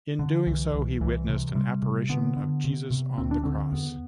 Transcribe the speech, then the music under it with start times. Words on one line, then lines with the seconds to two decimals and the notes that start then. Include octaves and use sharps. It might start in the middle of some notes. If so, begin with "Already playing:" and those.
In doing so, he witnessed an apparition of Jesus on the cross.
0.19 D3
0.47 C2 E3
0.74 C2
1.01 C2 E3
1.28 C3
1.55 C3 G3
1.83 C3
2.09 D3 B3
2.37 D3
2.64 C3
2.91 C3
3.18 D2 C4
3.31 D4
3.43 D3 C4
3.72 E2 B3